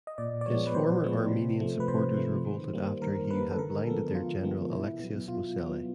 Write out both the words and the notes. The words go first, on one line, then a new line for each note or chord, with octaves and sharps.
His former Armenian supporters revolted after he had blinded their general Alexios Mosele.
D#5
A#2 D5
D5
F3 G#3 B3 C#5
B4
A#2 C5
F3 G#3 B3
C3
F3 A3
B4
C3 C5
F3 A3
D#3
G3 A#3
D#3 A#4
G3 A#3 B4
A4
D3 A#4
F3 G#3 B3 A4
D3 F4
F3 G#3 B3
B2 E4
F#3 B3
B2 F4
F#3 B3